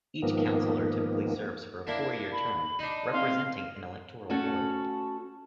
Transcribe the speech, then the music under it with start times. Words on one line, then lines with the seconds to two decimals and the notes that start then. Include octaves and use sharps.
Each councillor typically serves for a four-year term, representing an electoral ward.
0.22 G#2 D#3 F3 A#3 B3
1.87 A#3 D4 E4
2.32 B5
2.79 D4 D#4
3.12 C4 F5 C6
4.30 A3 C#4 F#4 A4